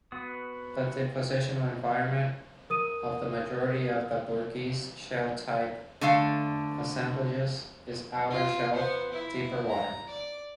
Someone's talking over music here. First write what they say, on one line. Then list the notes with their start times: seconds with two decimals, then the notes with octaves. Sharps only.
The depositional environment of the majority of Burgess-Shale-type assemblages is outer shelf, deeper water.
0.12 B3 F#4 D#6
2.70 A#4 D#6 D#7
6.01 D3 A3 F5
8.31 F4
8.73 B3 C5
9.12 E4
9.69 A#5
10.08 D5